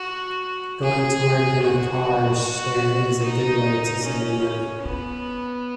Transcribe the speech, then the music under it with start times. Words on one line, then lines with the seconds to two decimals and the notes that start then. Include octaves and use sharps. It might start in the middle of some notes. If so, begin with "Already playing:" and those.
Going to work in a car share is a good way to save money.
Already playing: F#4
0.83 G#4
1.63 F#4
2.44 F#4
3.23 D#4
4.03 C#4
4.83 B3